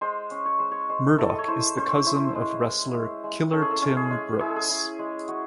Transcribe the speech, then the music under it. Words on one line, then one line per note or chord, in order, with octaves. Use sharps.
Murdoch is the cousin of wrestler Killer Tim Brooks.
G#3 C5
C#4
C#5
G#3 C5
C#5
G#3 C5
E4 A4
D#5
C#5
E4 C5
C#4 C5
E4
G#3
G#3
G#3
G#3
C#4 A4
G#4
A4
C#4
G#4
G#3
E4 G#4
A4
G#4
E4
G#3
C#4 F#4